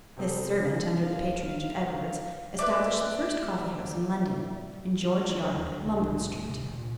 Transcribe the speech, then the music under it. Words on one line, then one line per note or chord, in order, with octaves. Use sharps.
This servant, under the patronage of Edwards, established the first coffee-house in London, in George Yard, Lombard Street.
C3 B3 C4 G#4 A4
F5
B4 D5 E5 D6
E3
F#3
D#2
D3
C2
D4
G#2
D2
C3
E1
A#2